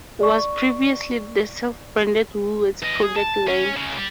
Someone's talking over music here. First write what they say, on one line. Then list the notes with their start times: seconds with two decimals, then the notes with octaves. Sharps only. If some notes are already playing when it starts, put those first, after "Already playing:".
Was previously the self-branded "Woolworths" product line.
0.21 D5 C#6
2.82 E3 D#5
3.02 G#4
3.16 A5
3.47 C#4
3.76 C#2 C#3
3.96 G3